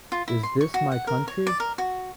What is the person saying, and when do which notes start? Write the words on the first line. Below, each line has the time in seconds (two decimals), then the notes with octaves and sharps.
Is This My Country?
0.12 F4
0.28 E4
0.43 C6
0.61 C#6
0.74 F#4
0.92 F#5
1.07 A#4
1.28 C#5
1.47 D5
1.60 A#4
1.78 F#4